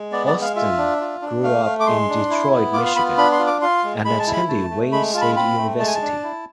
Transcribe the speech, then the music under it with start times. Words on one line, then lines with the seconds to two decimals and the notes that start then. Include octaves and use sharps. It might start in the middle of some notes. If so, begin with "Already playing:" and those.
Austin grew up in Detroit, Michigan, and attended Wayne State University.
Already playing: G#3
0.12 B3 D5
0.27 D5
0.34 G#3
0.42 F5
0.56 F4 E5
0.77 D4
1.00 F4
1.22 D4
1.43 A3 F5
1.66 A3
1.80 D6
1.87 G#3 C6
2.09 D4
2.30 E4
2.52 B3
2.74 F4 D6
2.85 C6
2.95 B3 B5
3.18 D4 B5
3.32 C6
3.39 F4
3.47 D6
3.62 F4 C6
3.84 G#3
4.05 G#3 B5
4.19 A5
4.27 E4
4.33 B5
4.49 A3 A5
4.70 A3
4.92 G#3 B5
5.14 F4 A5
5.21 B5
5.36 C4 B5
5.57 A3
5.79 G#3 A5
5.87 G#5
5.95 A5
6.02 D4
6.24 E4